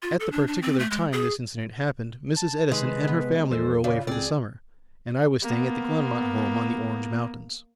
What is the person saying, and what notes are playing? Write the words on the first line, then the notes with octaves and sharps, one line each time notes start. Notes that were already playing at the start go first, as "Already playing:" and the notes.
At the particular time this incident happened, Mrs. Edison and her family were away for the summer, and I was staying at the Glenmont home on the Orange Mountains.
F4
A4
D4
D4
C4
A3
G#3
G#4
A5
C3 D#3 G#3 B4
B3
E2 F3 A4 C5
C#3 F4 D5
C#2 C4 G#4 D5
A#3 B3